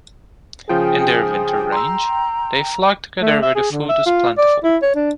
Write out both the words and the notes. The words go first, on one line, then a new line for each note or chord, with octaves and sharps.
In their winter range, they flock together where food is plentiful.
C#3 F3 F4 G#4 G5
A#5 C6 E6
A3
E5
G#4
D3
E5
F4
D5
E4
C#5
D4